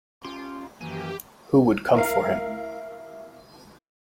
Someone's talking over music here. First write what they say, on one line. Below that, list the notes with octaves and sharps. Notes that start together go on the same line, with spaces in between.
Who would come for him?
C#4 F4 G4 C6
F#2 D#3 E3 F#3 A#3 G4 G#5
E4 A#4 F5